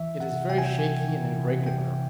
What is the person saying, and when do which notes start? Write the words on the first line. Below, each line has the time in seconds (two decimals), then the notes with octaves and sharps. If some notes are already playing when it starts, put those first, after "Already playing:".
It is very shaky and irregular.
Already playing: E3 E5
0.20 C3 F#5
0.50 C3 G5
0.58 G#5
0.67 G5
0.79 E3 G#5
1.08 E3
1.37 C3
1.66 C3 G5